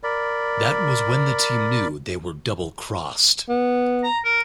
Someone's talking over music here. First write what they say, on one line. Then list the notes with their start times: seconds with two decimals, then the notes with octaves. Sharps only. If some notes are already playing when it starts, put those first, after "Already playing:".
That was when the team knew they were double crossed.
0.03 A#4 D5 B5
3.49 B3
4.04 A#5
4.24 A#4